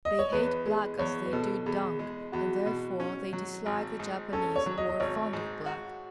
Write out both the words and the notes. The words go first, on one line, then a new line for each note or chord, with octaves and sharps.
They hate black as they do dung, and therefore they dislike the Japanese, who are fond of black.
D#5
C#5
E2 B4
G#3 G#4
E2 C#5
B4
B2 A4
E2 G#4
G#3
E2 F#4
B2
C#4
F#3
G#1
G#2
C#4 A4
C#5
F#3
D#5
D#5
G#1 C#5
G#2
F#4